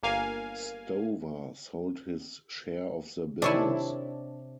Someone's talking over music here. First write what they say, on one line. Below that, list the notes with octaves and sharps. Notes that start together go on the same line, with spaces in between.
Stover sold his share of the business.
G1 A#3 F5 G#5
C3 D#3 D4 E4 C#5 G#5